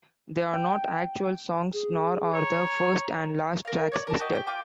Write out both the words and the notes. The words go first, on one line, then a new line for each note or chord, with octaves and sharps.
They are not actual songs, nor are the first and last tracks listed.
G5
G#4
C#5 A#5
A#4 F5
C#5 D5
A#4 A5
F#4 G4 D#5
G4 G5
F4 G5 D6